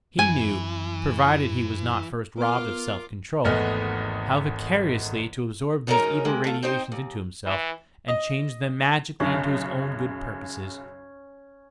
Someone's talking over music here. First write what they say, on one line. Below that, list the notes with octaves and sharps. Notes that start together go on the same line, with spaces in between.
He knew--provided he was not first robbed of self-control--how vicariously to absorb these evil radiations into himself and change them magically into his own good purposes.
F#2 E3 C4 G#5
B3 F4 A#4 D6 F6
G#1 E2 A3 B3 D#5 F6
F#2 C#3 C#4 D#4 A#4 A#5
C3 G#3 A#3
A3 F4
C4 D#4 C5 G5
D#2
E3
D#5
B1 F#2 C#3 C#4